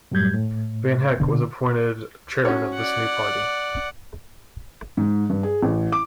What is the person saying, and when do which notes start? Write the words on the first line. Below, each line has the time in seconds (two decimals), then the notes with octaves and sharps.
Vanhecke was appointed chairman of this new party.
0.11 F#2 A2 F#3 G3 G6 G#6
0.34 A2
1.20 B2 D3
2.45 C#4 F#4 C#5
2.74 D5 F#5
4.97 G#2
5.30 G2
5.43 G#4
5.63 A1
5.92 D6